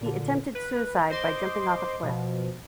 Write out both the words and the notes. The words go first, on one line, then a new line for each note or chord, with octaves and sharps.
He attempted suicide by jumping off a cliff.
A#2 D3
B4
C5 D#5 C6 D6
B2 F3